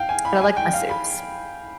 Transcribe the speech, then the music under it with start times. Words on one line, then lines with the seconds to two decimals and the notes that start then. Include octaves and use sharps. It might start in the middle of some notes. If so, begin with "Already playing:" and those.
but I like my soups.
Already playing: F5 G5
0.09 G#5
0.25 B5
0.41 G#5
0.57 G5
0.73 F5
0.90 B5